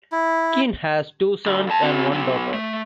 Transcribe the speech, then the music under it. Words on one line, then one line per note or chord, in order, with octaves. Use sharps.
Keen has two sons and one daughter.
E4
D2
F2 A5
C4 F#4
B1 F#3
A3